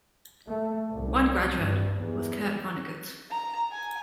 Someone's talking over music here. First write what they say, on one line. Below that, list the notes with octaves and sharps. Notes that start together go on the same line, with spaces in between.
One graduate was Kurt Vonnegut.
A3
C2
G2
E2
A#5
G#5